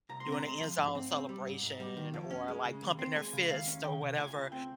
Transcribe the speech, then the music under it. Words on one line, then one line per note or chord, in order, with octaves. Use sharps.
doing an end zone celebration or, like, pumping their fist or whatever
C2 A#5
C6
C4
A#5
G#3 C6
F3
G#2
C4
C4
G3
G#2
G#2
G3
D#3
F2
C#4
G#3
C#3
D#2
C4
G#3 G#5
C#3
D#2 F5
C#4
D#3 G5
C3
C#2 G#5
C#2
C4 G5